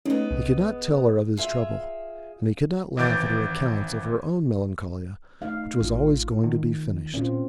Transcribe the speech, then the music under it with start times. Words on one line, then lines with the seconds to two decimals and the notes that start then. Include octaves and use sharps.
He could not tell her of his trouble, and he could not laugh at her accounts of her own Melancolia which was always going to be finished.
0.05 G#3 A3 B3 C#4 D#4
0.31 C2
1.37 F4 G#4 E5
2.97 G#1 E3 D6 G6 A6
5.41 A3 D#4 F5
5.81 A1 F4
6.44 D#3
7.14 A#2 C4 C#4 F4